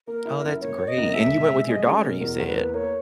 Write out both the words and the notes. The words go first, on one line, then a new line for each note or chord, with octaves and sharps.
Oh, that's great, and you went with your daughter, you said?
A#3 A#4
E4
F#2
A#3 C#5
A#3
D#5
F#2
G#3 E5
B2
G#3
G#3 D#5
C#4 G#4
B2 A#4
E2 A#4
E2
B4
A#3
A#3 C#5